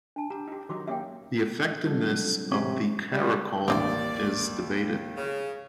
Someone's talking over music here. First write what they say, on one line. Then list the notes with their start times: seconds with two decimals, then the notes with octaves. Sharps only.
The effectiveness of the caracole is debated.
0.16 D4 A5
0.30 G4 A#5
0.48 D#4 G4
0.69 D#3 F#3 D#4 F#4 D6
0.88 A#3 C#4 G4 E5 G5
1.86 F#3 G3 C4 D4 F4 A4
2.51 C3 C#4
3.11 G3
3.68 A1 D#2 C4 D4 E4 D5
5.16 C#3